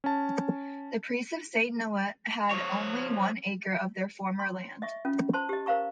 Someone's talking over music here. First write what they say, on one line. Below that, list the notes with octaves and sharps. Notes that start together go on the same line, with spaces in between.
The priests of Saint Neot had only one acre of their former land.
C#4 A5
F3 C#5
C6
D#5 E5 C#6
C#4 F4
C5 A5 C6
G4 D#5
A#4 C5 F5 A#5 C#6